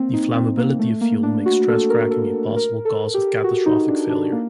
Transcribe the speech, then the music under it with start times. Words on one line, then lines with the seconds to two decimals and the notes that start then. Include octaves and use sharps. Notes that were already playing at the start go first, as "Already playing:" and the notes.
The flammability of fuel makes stress cracking a possible cause of catastrophic failure.
Already playing: A#3 C4
0.13 D#4
0.35 C4
0.57 A#3
0.79 A3
1.01 A#3
1.23 D4
1.46 F#4
1.68 A4
1.90 A#4
2.11 A4
2.33 A4
2.56 A#4
2.85 A4
3.14 G4
3.44 F#4
3.66 D#4
3.88 D4
4.10 D4
4.32 A#3